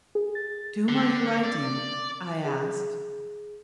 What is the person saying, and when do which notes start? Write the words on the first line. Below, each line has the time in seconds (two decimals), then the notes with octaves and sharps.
"To whom are you writing?" I asked.
0.15 G#4
0.35 A6
0.89 D3
1.44 D5
2.44 G#4